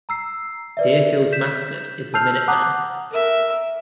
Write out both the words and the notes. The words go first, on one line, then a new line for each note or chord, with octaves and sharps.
Deerfield's mascot is the Minutemen.
A#5 E6 C7
B4 D5 E5
G6 B6 E7
A5 E6 F6 G6 C7 F7
F#5 A5 A#5 D6 D#6 F#6
A#4 E5